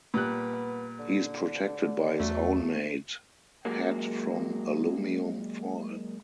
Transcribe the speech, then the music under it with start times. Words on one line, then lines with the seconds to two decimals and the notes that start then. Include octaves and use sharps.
He is protected by his own made hat from alumium foil.
0.14 A#2 G3 B3 F#6
0.99 D3
2.20 E2 F#3 A3
3.65 F#3 G#3 A#3